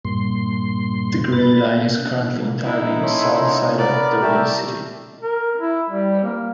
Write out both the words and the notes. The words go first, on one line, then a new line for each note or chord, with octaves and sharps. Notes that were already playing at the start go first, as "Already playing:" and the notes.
The Green Line is currently entirely in the south side of Dublin city.
G2 A#2 C6
B4 A6
D#4 E4
C#4 A4 C6
B3 A#4 D5
G3 A3 E5 G5
A#4
E4
G3
A#3